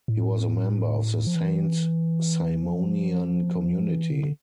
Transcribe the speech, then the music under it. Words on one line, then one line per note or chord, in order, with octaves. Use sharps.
He was a member of the Saint-Simonian community.
A2
F3
E3
F3
E3
D3